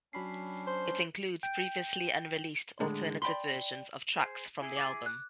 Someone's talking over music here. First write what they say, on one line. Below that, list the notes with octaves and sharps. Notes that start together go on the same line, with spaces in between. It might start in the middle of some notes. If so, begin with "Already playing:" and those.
It includes previously unreleased alternative versions of tracks from the album.
F#3 C#4 D4 B5 C7
C5
G5
A2 D3 G#3
D5 G5 B5 C6
G#4 C5
E4 G4 G#4
D6 A6
F#6